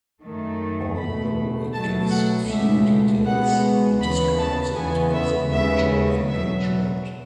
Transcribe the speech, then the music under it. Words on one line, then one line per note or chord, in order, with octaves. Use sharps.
Although it gives few details, it describes it as a major engagement.
F#2 D#3 A3
B2 A3 B5
B2 F#3 A3 A5
F#5
C#2 B2 A3 E5
C#2 B2 G#3 B3 F#5
D#2 C#3 E3 B3 B5
A5
E2 C#3 E3 B3 G#5
E5
D#2 C#3 G#3 B3 E5
E2 B2 F#3 E5